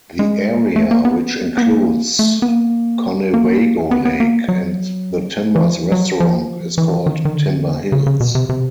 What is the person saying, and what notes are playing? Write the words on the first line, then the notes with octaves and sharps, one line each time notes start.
The area which includes Conewago Lake and the Timbers Restaurant is called Timber Hills.
G#3
A3
A#3
B3
B3
A#3
A3
B3
A#3
A#3
B3
B3
A#3
F#3
E3
F3
F#3
F3
E3
D#3
D#3
D3
C#3
C#3
B2
C3
C3